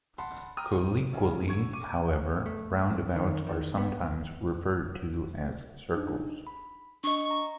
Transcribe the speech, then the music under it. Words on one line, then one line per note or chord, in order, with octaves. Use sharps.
Colloquially, however, roundabouts are sometimes referred to as circles.
F#5 A5 B5 C6
G5 A#5 D#6 F6
B1 C#3
D3 C#6 G#6
C#6 D6 D#7
A3
F2
D#3
D#3
B3
D4 D#4
B5
D4 D#5 C#6
A#5